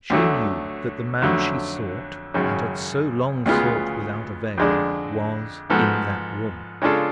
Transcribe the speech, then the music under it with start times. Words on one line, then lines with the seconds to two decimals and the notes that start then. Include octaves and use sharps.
She knew that the man she sought, and had so long sought without avail, was in that room.
0.10 D2 D3 F#3 A3
1.22 F2 D3 F#3 A3
2.34 G#1 F#2 C#3
3.46 D2 C#3 G#3 B3 F4
4.58 F2 D3 G#3 D4
5.70 G#2 F3 B3 F#4 A4
6.82 C#3 G#3 D4 F4 A4